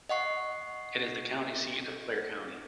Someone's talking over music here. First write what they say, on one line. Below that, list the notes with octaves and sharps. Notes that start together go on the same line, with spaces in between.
It is the county seat of Clare County.
D#5 F#5 C#6 C7